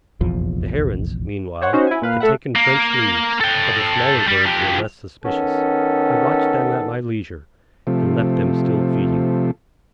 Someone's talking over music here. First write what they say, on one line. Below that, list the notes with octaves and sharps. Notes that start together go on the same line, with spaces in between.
The herons, meanwhile, had taken French leave, but the smaller birds were less suspicious; I watched them at my leisure, and left them still feeding.
F1 A#1 E2 F3
C5 C#5 F#5
C#4 D#4 F#4 C5
E4 G#5
A#2 B4 F5
A3 A4 E5 F#5
A#3
A4 G5
G3
F3 G4
D#3 B3 C#4 A4
C3 F3 A3